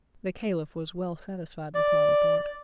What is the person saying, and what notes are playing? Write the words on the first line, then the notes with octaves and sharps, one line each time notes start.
The Caliph was well satisfied with my report.
D5